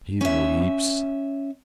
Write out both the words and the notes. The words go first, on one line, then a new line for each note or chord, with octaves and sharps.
He weeps.
C#4 E5